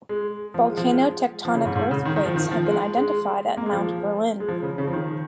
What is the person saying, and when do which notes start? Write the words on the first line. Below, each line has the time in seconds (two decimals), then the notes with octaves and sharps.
Volcano-tectonic earthquakes have been identified at Mount Berlin.
0.09 G#3
0.54 F3
0.70 G#3
0.77 F3
0.86 G#3
1.45 F3
1.55 C#3
1.65 G#2
1.75 G#2
1.91 C#3
2.05 D#3
2.16 D#3
2.26 F3
2.36 D#3
2.51 F3
2.66 G#3
2.97 G#3
3.57 A#3
3.66 G#3
3.73 F3
4.40 G#3
4.48 F3
4.63 C#3
4.78 C#3
4.87 F3
4.93 D#3